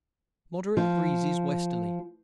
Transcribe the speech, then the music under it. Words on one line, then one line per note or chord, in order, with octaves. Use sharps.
Moderate breezes westerly.
F3